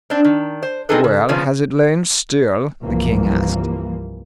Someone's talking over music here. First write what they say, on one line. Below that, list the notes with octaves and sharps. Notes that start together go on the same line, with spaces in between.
'Well, has it lain still?' the king asked.
C4 D4
D#3
C5
G3 C4 D#4 G#4 A4 B4
C#3
A#2 C#3 F3 B3
C2 G2 E3 F3 A#3